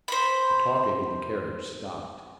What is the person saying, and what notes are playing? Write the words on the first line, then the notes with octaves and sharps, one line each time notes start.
The talking in the carriage stopped.
C5 B5